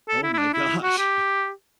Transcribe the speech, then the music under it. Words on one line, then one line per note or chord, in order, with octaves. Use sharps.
Oh my gosh.
A4
E4
E4
D4
E4
F#4
G4